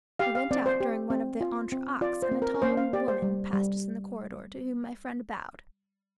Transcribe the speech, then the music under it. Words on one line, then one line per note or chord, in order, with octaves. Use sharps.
We went out during one of the entr'actes, and a tall woman passed us in the corridor, to whom my friend bowed.
G4 F5
F5
C4 D5
C5
G4
C4
F4
C4
F4 D5
C5
C4
A#4
A#4
A#3 C5
F5
G4 D5
C5
G3
G3